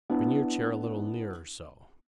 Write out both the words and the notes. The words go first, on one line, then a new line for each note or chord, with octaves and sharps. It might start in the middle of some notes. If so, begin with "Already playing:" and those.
Bring your chair a little nearer--so.
B3 D4 E4